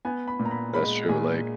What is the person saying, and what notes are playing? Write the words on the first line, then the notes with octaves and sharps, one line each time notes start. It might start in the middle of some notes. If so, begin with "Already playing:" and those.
That's true, like
B3 G#5
B5
A#2
A#5
B5
G#3 B5
A#2 G#5